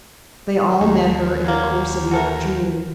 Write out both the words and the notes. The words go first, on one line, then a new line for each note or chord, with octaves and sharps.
They all met her in the course of the afternoon.
D#2 D#3
F#3 G3 A#3
F#4 A4 A#4